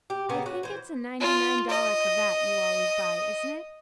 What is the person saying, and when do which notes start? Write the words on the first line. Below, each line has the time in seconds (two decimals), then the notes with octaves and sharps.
I think it's a ninety-nine dollar cravat you always buy, isn't it?
0.10 G4
0.29 C#3 A#3 B3
0.46 C#4 F#4
0.63 E3 C5
1.20 F4
1.70 D#5